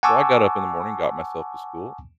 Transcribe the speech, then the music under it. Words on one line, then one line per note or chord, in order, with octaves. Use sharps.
So I got up in the morning, got myself to school,
F#5 G#5 A5 C#6 D6 E6